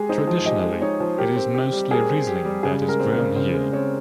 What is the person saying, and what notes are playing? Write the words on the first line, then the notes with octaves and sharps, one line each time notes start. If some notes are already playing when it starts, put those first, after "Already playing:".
Traditionally, it is mostly Riesling that is grown here.
Already playing: G#3 G4 G#4
D#4 C5
F3
G4 D#5
G#3
D#4 C#5
F3
G4 A#4
C4
G4
G3
G#4 A#4
C4
G4
G3
C#3 G#4
G#3
A#4
C4
A#4
C#3
C#3 C5
G#3
C4 C#5